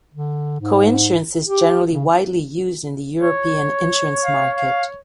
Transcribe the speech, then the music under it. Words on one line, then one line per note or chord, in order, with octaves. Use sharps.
Coinsurance is generally widely used in the European insurance market.
D3
G#2
G4
C#3
C#5
F5
F5